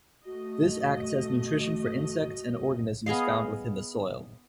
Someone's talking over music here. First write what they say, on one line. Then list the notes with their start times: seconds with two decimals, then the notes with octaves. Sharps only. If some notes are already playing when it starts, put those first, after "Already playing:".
This acts as nutrition for insects and organisms found within the soil.
0.25 A3 F#4 D#5
3.06 B3 G#4 D#5 F5